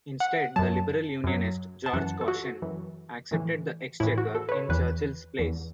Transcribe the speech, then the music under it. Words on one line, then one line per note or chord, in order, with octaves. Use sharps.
Instead the Liberal Unionist George Goschen accepted the Exchequer in Churchill's place.
F#5
F#2 F#3 A5
F#2 F#3
A5
F#2 E3 F#5
A4
F#4
F#2 E3
A2 E3
A2 E3 E4
F#4
A4
B4
C#5
E2 E3 B4
E2 E3